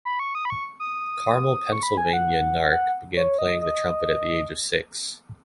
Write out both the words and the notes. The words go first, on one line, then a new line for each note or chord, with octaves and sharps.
Carmel, Pennsylvania, Nark began playing the trumpet at the age of six.
B5
C#6
D#6
B5
C#6
D#6
C#6
B5
G#5
F#5
F#5
C#5
D#5
D#5